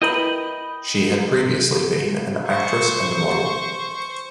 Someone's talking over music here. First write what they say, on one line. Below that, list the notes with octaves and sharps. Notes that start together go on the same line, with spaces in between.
She had previously been an actress and a model.
E4 A#4 B4 D#5 G5 B5
C5 C#6